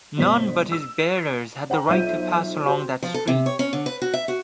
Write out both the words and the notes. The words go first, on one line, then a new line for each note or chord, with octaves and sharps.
None but his bearers had the right to pass along that street.
G1 B2 C5 B6
E6
C5 F#5 G5 A#5
B1 F4 C5 E5 G6 D#7
F#4 G4 C5
F3
A4
C3
C#5
C#4
D3
B4
F#4
E5
F#4